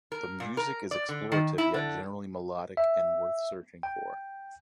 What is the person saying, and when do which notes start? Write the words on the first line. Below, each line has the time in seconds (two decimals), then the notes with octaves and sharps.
The music is explorative yet generally melodic and worth searching for.
0.12 A#4
0.40 A#2
0.57 A#4
0.91 D5
1.09 D3
1.32 D#3
1.58 E4
1.74 D3
2.77 E5
3.83 G5